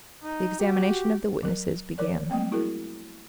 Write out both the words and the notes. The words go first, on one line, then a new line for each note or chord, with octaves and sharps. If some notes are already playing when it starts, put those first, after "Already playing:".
The examination of the witnesses began.
D#4
F#4 G4
F#3 A#4
E3 F3 A#4 D5
F#3 G3 A3 A#3 C4
E4 F#4 G#4 A#4